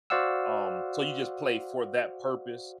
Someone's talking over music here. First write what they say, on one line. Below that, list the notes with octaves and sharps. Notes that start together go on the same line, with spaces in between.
um, so you just play for that purpose,
F#4 C5 D5 F5 F#5 E6